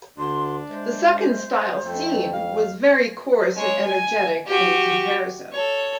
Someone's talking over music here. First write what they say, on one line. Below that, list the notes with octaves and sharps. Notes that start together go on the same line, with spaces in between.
The second style seen was very coarse and energetic in comparison.
D2 D4 C6
G#3 C5 E5
F2 A3 G5
F5
G#3 C#5
G#5
F#4 G4
A4 C#5